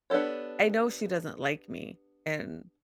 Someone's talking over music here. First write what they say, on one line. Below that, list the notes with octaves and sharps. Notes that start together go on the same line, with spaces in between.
I know she doesn't like me, and
B3 D4 G4 A4 C#5